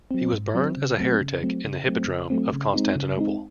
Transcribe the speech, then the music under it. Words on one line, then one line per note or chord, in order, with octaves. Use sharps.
He was burned as a heretic in the hippodrome of Constantinople.
F#3 C4
G#2
F#3 C4
C#3
F#3 A3 C4
C#3
F#3 A3 C4
C#3
F#3 A3 C4
C#3
F#3 A3 C4
C#3
G#3 C4 D#4
C#3
G#3 C4 D#4